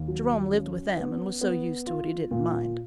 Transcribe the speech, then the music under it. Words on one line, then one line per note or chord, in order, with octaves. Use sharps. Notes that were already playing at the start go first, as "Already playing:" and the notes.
Jerome lived with them and was so used to it he didn't mind.
Already playing: D#2
F#3
C#4
B3
B3
F4
A#2